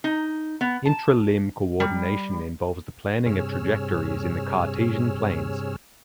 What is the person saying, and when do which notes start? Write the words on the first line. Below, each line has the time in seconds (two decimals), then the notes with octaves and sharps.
Intra-limb coordination involves the planning of trajectories in the Cartesian planes.
0.04 D#4
0.61 B3
0.85 A5
1.80 G3
3.26 G2 C3 G#4 C#5 E6 F6